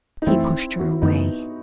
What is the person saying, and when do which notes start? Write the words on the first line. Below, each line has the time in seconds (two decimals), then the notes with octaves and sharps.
He pushed her away.
0.22 D#4
0.26 F#2 E3 A3 C4 E4
0.79 F#4
0.91 E4
1.02 F#2 E3 A3 B3 D#4